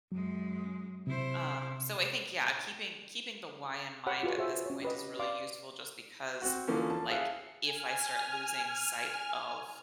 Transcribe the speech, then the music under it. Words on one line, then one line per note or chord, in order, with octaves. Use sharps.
um, so I think, yeah, keeping keeping the why in mind at this point, is really useful just because, like, if I start losing sight of
F#2 F#3 G#3
C3 E4 C5
G4 C#5 F#5 B5
F4 F#4 G#4 B4
G#4 C5 E5
C#4 C#5
G4 B4 D#5
D5 F5 C6 D6
C4 F#4
D3 E3 F3 A#3 C#4
A5
G#4 E5 F5 F#6 C#7
G#5 F6